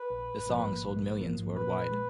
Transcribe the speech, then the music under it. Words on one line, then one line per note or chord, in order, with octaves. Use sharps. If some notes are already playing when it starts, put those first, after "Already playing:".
The song sold millions worldwide.
Already playing: B4
A#1
G#2 F3 A#3
A#1
G#2 F3 A#3
A#2 B4
G#3